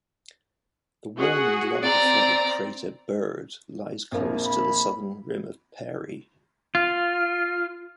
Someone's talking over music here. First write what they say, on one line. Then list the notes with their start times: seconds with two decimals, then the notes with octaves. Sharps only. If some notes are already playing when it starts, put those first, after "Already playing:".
The worn and lava-flooded crater Byrd lies close to the southern rim of Peary.
1.16 F#4 G#4 F#5
1.84 C4 D5 A#5
4.12 A#1 F2 A#3
4.46 B5
6.75 F4 F6